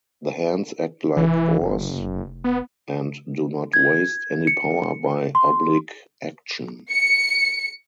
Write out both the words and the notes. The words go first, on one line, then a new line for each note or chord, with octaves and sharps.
The hands act like oars, and do not waste any power by oblique action.
F1 E3
F#1
B3
G#6
C#7
C6
C#7